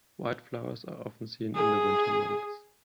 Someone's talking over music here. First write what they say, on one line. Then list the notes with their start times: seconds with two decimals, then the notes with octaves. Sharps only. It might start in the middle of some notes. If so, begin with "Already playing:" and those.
White flowers are often seen in the winter months.
1.55 G#4